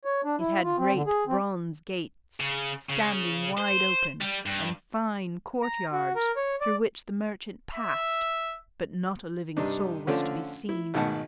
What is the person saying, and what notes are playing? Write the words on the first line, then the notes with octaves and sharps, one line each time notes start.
It had great bronze gates, standing wide open, and fine court-yards, through which the merchant passed; but not a living soul was to be seen.
C#5
D4
E4
F4
C4
D3
G#4
C4
C#3
C#3
C5
G3
G2
A#5
F#4
A#4
C#5
D5
E5
G2 C3 G3 D4 D#4
D3 F3 A3 C#4 D4 F4
E4
G#1 B2 D#3 F#5 A5